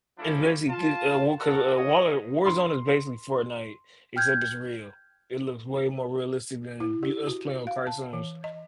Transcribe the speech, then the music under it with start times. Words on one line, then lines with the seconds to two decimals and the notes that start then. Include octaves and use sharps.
It's basically g uh, well, 'cause, uh, War Warzone is basically Fortnite, except it's real. It looks way more realistic than you us playing on cartoons,
0.19 G#2 F3 A3 C#4 D4 E4
0.70 F4 A5
1.39 A4 A#4 F#5
1.75 F4 G#4 C#5 D#5
2.46 C6
4.16 G5 F6 G6 G#6
6.80 E4
7.03 G4
7.27 F#4
7.67 F5
7.87 A5
8.13 E3
8.44 D#5